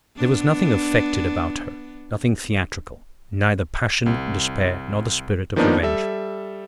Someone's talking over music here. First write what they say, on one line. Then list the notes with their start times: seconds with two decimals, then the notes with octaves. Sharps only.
There was nothing affected about her, nothing theatrical, neither passion, despair, nor the spirit of revenge.
0.16 B3 D4
4.06 C2
5.56 D#3 F3 A#3 B3 D4 D#4
5.83 G3 A4 E5